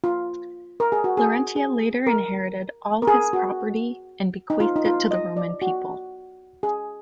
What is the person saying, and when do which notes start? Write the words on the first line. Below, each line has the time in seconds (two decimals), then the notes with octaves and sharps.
Larentia later inherited all his property and bequeathed it to the Roman people.
0.04 F4
0.80 A#4
0.92 G#4
1.04 F#4
1.17 G#4
1.56 G#4
2.07 A#4
3.02 A#4
3.07 G#4
3.33 F#4
4.50 D#4
4.60 F4
4.76 D#4
4.86 F4
5.11 D#5
5.37 D5
5.62 F#4
6.63 G#4